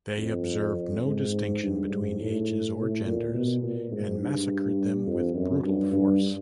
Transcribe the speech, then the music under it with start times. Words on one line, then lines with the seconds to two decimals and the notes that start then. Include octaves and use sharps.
They observed no distinction between ages or genders, and massacred them with brutal force.
0.18 F2
1.05 G#2
1.62 G2
1.91 G#2
2.19 A2
2.77 A2
3.05 A#2
3.34 B2
3.63 A#2
3.92 G#2
4.21 G2
5.07 F2
5.35 F#2
5.64 G2
5.92 G2